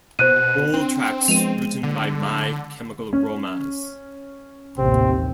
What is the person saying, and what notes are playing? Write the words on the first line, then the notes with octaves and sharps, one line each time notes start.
All tracks written by My Chemical Romance.
B2 C5 F#6 D#7
C4 D4
F3 G#3 B3 D#7 F7
D3
C#4
A1 D#2 C3 C4